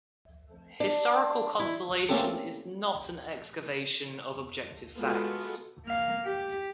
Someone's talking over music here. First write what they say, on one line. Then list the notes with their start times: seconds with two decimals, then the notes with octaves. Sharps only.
Historical conciliation is not an excavation of objective facts.
0.80 D4
1.60 E4
2.09 A3 A#3 C4 C#4 G4 A4
4.96 G#3 B3 F4 F#4 A4
5.85 A#3 F5
6.25 G4